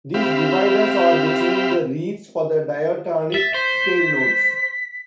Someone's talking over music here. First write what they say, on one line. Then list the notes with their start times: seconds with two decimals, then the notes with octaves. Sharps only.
These dividers are between the reeds, for the diatonic scale notes.
0.14 C4 G4 E5 F5 B5
3.34 E5 A6
3.54 C5 B6